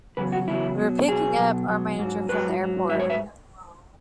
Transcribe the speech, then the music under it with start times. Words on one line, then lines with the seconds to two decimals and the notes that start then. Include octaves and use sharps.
We were picking up our manager from the airport.
0.17 E2 C#3 F#3 B4
0.32 F#4
0.47 E2 C#3 F#3 E4
0.78 B2 F#3
1.08 B2 F#3 G#4
1.39 B2 F#3
1.68 B2 F#3
1.99 G#2 F#3
2.29 G#2 F#3 B4
2.59 G#2 F#3
2.89 G#2 E5
2.92 F#3
3.00 C#5
3.10 E5